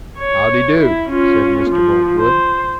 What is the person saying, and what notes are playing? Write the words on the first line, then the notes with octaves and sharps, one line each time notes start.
"How dee do," said Mr. Boltwood.
C#5
E4
C#4 F4
F3
C5